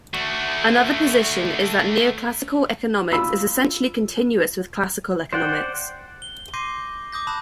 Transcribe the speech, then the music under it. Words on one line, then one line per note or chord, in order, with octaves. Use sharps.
Another position is that neoclassical economics is essentially continuous with classical economics.
A3 F#4
F4 B5 E6
C5 D5 F#5 G5
G7
C6 D6 G6 A#6 C7 D#7
D6 D#6 G6 A#6
A5 B5 D6 D#6 F#6 E7